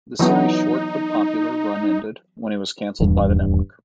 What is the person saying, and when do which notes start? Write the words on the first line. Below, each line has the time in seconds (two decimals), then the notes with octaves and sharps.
The series' short but popular run ended when it was canceled by the network.
0.19 E3 F#3 B3 D#4
3.00 D#1 E2 G2 G3